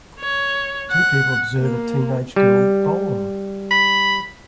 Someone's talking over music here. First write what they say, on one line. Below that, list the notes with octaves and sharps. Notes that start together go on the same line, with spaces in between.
Two people observe a teenage girl bowling.
C#5
F#5
A#3
G3
B5